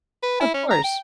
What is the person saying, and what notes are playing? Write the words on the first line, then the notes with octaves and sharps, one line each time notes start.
Of course.
B4
E4
C#4
A#5
G5